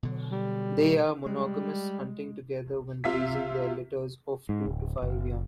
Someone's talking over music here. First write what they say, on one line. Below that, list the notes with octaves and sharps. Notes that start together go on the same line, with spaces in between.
They are monogamous, hunting together when raising their litters of two to five young.
B2 D3 F#3
G3
G3 G#3
C3 F4 E5 B6
G#2
D1
F#1